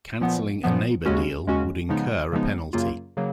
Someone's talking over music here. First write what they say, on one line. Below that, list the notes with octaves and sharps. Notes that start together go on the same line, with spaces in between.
Canceling a neighbor deal would incur a penalty.
A#2 F3 B3
A#2 F3 B3
D#2 C#3 G#3 C#4 F#4
D#2 C#3 G#3 C#4 F#4
C#3 F3 G#3 B3 D#4
C#3 F3 G#3 B3 D#4
F#2 C#3 F#3 A#3 F4
C#3 F#3 A#3